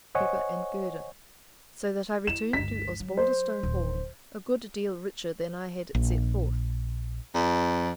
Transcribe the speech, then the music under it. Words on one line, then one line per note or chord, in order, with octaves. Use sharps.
Hooper and Girder, so that I returned to Osbaldistone Hall a good deal richer than I had set forth.
C5 C#5 D#5 F#5 G#5 C#6
E4 E7
G1 C#2 B6
F#3
C5
D1
A#1
F2